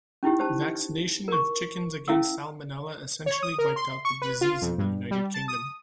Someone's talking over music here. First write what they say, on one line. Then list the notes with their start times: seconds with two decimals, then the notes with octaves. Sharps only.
Vaccination of chickens against "Salmonella" essentially wiped out the disease in the United Kingdom.
0.23 C#4 D#4 E4 G4
0.39 G4 C5 A5
1.28 A#4 C#6
2.08 C#4 E4 E5 F5 E6
3.26 C#5
3.43 D#6
3.58 A#4
3.76 C6
4.05 C#6
4.22 B4
4.41 F4
4.62 F2
4.78 G2
5.11 G3
5.34 A5
5.48 D#6